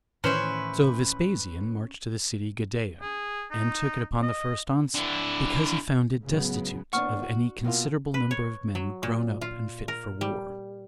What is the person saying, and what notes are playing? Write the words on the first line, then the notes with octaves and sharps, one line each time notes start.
So Vespasian marched to the city Gadara, and took it upon the first onset, because he found it destitute of any considerable number of men grown up and fit for war.
A2 D#3 E3 C#4 B4 C5 E5
G#4
D#4
D#5
D3 E4
A2 C#3 F#3 G#3 B3
D#2 B3 D4 F#5 C#6 F6
F#4
B2 A#3 F4
B4
C#5
F#3
A#2
F4
A#4
G3